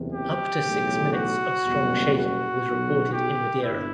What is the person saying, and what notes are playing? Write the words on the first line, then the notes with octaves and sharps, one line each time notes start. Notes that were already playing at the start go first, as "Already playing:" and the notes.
Up to six minutes of strong shaking was reported in Madeira.
Already playing: F#1 E2 C3 E3
G4
B1 A2 E3
F#4
F#1 E2 B2 G3
F#4
B1 B2 F#3
G4
G1 G2 E4